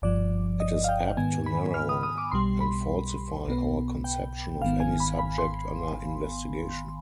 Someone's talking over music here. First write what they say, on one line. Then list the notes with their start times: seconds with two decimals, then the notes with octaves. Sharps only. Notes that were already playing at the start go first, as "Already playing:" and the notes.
It is apt to narrow and falsify our conception of any subject under investigation.
0.02 G1 G2 F3 D5
0.60 D#5
0.84 F5
0.89 G5
1.17 G#2 D#3 B3 G#5
1.46 B5
1.74 F6
1.89 D#6
2.03 D#6
2.18 D6
2.32 B1 B2 G3 C6
2.61 B5
3.47 B1 B2 B3
4.04 G5
4.62 G#1 G#2 D#3 B3 F5
4.80 G#5
5.00 B5
5.19 B5
5.38 C6